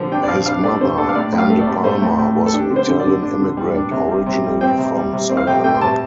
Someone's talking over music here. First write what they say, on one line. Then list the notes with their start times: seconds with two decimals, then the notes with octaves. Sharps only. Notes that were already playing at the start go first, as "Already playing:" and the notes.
His mother, Ann De Palma, was an Italian immigrant originally from Salerno.
Already playing: D3 F3
0.12 D4 G5
0.23 D5
0.28 F3 F5
0.46 D4 F5
0.63 A3 D5
0.81 D3 C5
0.98 D4 A4
1.09 F5
1.15 A2 D5
1.33 A2
1.38 F5
1.50 A3
1.61 D5
1.67 A2
1.84 A3 C5
2.02 A2
2.19 A2
2.36 A3
2.46 A4
2.53 D4 G4
2.70 D3
2.76 C5
2.88 D3
2.99 D5
3.05 D3
3.22 D4
3.39 D3
3.57 G3
3.74 D4
3.91 C3
4.09 G3
4.26 C3
4.44 G3
4.61 C4 G5
4.78 C3
4.96 G3
5.12 C3
5.29 C4
5.37 F5
5.47 C3 G5
5.64 A3 G5
5.75 C6
5.81 C3 A5